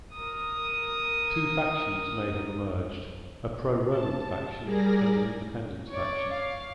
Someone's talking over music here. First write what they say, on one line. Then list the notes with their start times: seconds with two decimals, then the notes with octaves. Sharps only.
Two factions may have emerged: a pro-Roman faction and an independence faction.
0.14 A#4 D#6
3.89 A5
4.61 G3 G#4 A#4 D5 G#5 A#6
5.89 C#5 D5
6.31 F5